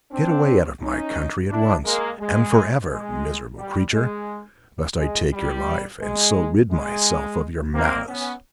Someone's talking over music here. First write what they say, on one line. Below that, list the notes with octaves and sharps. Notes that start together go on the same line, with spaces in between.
"Get away out of my country at once, and for ever, miserable creature, lest I take your life, and so rid myself of your malice."
C4 D4
C#4 D#4
D4 E4
G#3 A#3
G#3
G#3
G3
G#3
G#3
G3
G#3
G#3
A#3 C4
B3 C#4